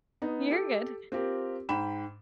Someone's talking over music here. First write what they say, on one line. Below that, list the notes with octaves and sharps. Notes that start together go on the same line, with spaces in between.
You're good.
B3 D#4
G4 A4
C4 F4 G4 A#4
G#2 G5 B5 E7